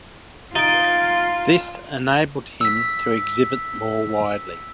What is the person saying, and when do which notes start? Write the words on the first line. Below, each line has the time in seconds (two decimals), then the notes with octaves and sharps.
This enabled him to exhibit more widely.
0.55 D#4 F4 A6 D7
2.61 E6 B6